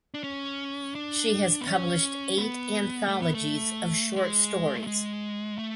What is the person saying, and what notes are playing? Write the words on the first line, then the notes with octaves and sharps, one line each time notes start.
She has published eight anthologies of short stories.
D4
C#4
D4
B3
C#4
B3
A3
B3
A3
G#3
A3
G#3
A3